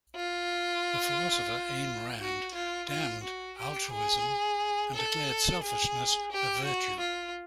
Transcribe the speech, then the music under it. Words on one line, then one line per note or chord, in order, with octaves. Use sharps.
The philosopher Ayn Rand damned "altruism" and declared selfishness a virtue.
F4
F#4
F4
F4
F#4
G4
G#4
A4
G#4
G4
F#4
F4